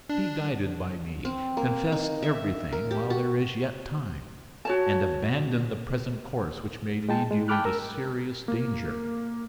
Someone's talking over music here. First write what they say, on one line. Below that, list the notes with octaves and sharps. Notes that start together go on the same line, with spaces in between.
Be guided by me; confess everything, while there is yet time; and abandon the present course which may lead you into serious danger.
D4
C4
A#3
D#4
E5
A#4
G4
F#4
F#4 C#5 A5
G#3 G5 A5
G#3
G5 A5 B5 D6 F6 F#6
A#4 E6
A#3